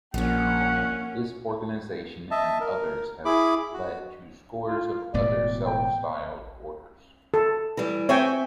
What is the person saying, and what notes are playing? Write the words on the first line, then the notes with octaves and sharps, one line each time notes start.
This organisation and others have led to scores of other self-styled Orders.
A#1 F3 G3 A#3 C#4 F#5
D#5 E5 A5
A#4
E4 G#4 B5 D6
F#4
F4
E1 A2 B3 D5
G5
A4
E3 G3
C4 C#5 E5 G5 G#5